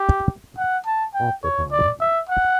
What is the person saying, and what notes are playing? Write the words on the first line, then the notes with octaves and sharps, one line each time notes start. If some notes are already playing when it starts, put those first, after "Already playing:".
At the time.
Already playing: G4
F#5
A5
G5
C#5
D5
E5
F#5